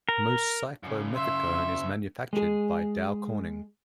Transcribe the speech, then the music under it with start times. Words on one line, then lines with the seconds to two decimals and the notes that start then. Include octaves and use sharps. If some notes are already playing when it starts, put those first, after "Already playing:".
Most cyclomethicone is manufactured by Dow Corning.
0.09 A#4
0.83 F#2 C#3
1.15 E5 C6
2.33 G#3 G#4